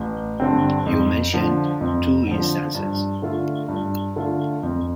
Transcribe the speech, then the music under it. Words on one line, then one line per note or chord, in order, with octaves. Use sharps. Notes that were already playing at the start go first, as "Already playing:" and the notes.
You mentioned two instances.
Already playing: A1
G2 D3 G3 C4
F2
D3 F3
F2
D3 F3
G2
D3 A3 F4
G2
D3 A3 F4
F2